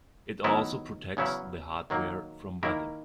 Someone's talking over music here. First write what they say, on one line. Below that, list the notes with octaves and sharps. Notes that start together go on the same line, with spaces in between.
It also protects the hardware from weather.
D#3 F#3 B3 E4 A#4
E2 C#3 F#3 C#4 E4
D#3 F#3 A#3
D#3 A#3 E4 A#4